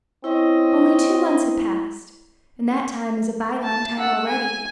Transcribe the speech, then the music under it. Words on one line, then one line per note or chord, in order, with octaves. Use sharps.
Only two months have passed, and that time is a by-gone time already!
C4 C#4 E4 D#5
A5
F#5 E6
G#5